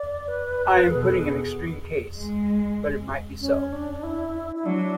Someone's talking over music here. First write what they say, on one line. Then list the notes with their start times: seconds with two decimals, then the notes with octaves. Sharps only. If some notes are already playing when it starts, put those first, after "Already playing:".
I am putting an extreme case, but it might be so.
Already playing: D5
0.28 B4
0.90 B2 G#4
1.03 A4
1.15 G#4
2.15 G#3
3.41 C#4
3.72 D4
4.03 E4
4.55 E4
4.66 F#3 D4